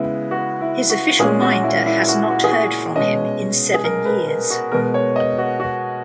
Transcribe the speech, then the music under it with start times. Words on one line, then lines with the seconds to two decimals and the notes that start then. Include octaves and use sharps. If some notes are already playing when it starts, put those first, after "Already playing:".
His official minder has not heard from him in seven years.
Already playing: C#3 G#3 B3 E4
0.31 F#4
0.61 E4
0.90 F#4
1.19 A#2 G#3 C#4 G#4
1.42 F#4
1.63 E4
1.86 E4
2.08 F#4
2.30 F#4
2.44 G#4
2.52 F#4
2.96 B2 G#3 C#4 D#5
3.74 G#4
3.84 A#4
4.05 B4
4.27 A#4
4.50 F#4
4.72 B2 G#3 B3 A#4
4.94 C#5
5.16 D#5
5.38 F#4
5.60 F#4